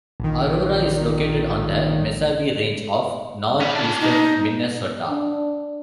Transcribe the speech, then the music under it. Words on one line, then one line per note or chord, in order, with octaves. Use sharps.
Aurora is located on the Mesabi Range of northeastern Minnesota.
A#1 D#3
C#4 B5
C#4 D4
D#4
D4